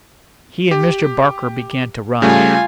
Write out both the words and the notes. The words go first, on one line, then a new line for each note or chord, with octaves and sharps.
He and Mr. Barker began to run.
G4
C#3 G3 A3 F4 G#5